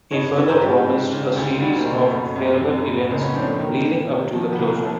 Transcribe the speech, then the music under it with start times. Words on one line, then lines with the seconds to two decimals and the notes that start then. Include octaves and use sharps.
He further promised a series of farewell events leading up to the closure.
0.11 G2 C#5 D#5
0.36 G2 B4 C#5
0.48 A#4 C5
0.61 G#2 F4 G4
0.86 G#2
1.11 C#3
1.36 D2
1.60 G3 E4 F#4
1.77 A#3 C4
1.85 B2
1.93 A#3 C4
2.11 F#2 A3 B3
2.36 F#2
2.61 E3
2.85 A2
3.10 C#2 A#3 C4
3.22 B3 C#4
3.35 F3 C4 D4
3.47 A3
3.59 D#3 A#3
3.84 D#3
4.09 C3
4.34 F3
4.53 B3
4.58 C2 A#3
4.84 F3